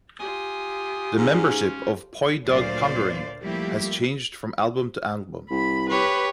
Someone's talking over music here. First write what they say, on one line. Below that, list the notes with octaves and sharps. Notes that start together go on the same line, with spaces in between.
The membership of Poi Dog Pondering has changed from album to album.
F4 G4 G#5 D#6
G#2 C#4
D2 A#2 F#3 C5 D5 F5
F3 G3 A3 A#3 E4 G4
C2 B5
G4 B4 C#5